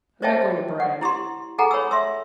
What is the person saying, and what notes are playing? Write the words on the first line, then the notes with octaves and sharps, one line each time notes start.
I'm not going to brag.
C5 C#5 D#5 E5 G5 A5
F#5
E4 G4 C6
G#4 A4 F#5 G#5 A#5
C#5 B5 E6
E5 C6 E6